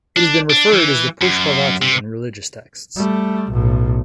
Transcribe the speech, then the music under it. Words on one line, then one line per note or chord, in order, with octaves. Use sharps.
It has been referred as the Pushpavati in religious texts.
D4
D4
E3
F#2
C3
G3 A3
B1 A2